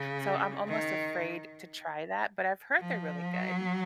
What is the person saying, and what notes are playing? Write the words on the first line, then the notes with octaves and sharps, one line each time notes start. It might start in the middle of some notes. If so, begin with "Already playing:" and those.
So I'm almost afraid to try that, but I've heard they're really good.
Already playing: C#3
D#3
F3
F#3